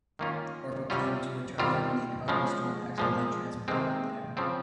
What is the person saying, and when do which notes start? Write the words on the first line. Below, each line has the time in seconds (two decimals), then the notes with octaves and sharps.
Orko came to Eternia when a "cosmic storm" accidentally transported him there.
0.19 D#3 A#3 C#4 F4
0.90 C3 G3 C#4 F4
1.58 D#3 G3 C4 F4
2.28 C#3 F3 G#3
2.98 A#2 F3 G#3
3.68 C3 D#3 G#3 C4
4.37 C#3 F3 C4